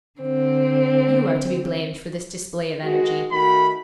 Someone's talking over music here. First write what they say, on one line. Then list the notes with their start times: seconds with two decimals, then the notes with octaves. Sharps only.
You are to be blamed for this display of energy.'
0.20 D3 C4
2.83 D#3 G#3 F#4
3.32 D#3 A3 F#4 B5